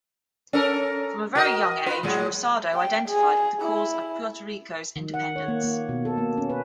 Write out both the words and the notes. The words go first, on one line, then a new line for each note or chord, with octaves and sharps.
From a very young age, Rosado identified with the cause of Puerto Rico's independence.
C#4 A4 A#4
F#4 A#4 D#5
F4 B4
A2 F#3 G#3
G5
G#4
E4
D#3
F#5
C#5
A#3
A#3
B2
A4
A#3
C#4
B4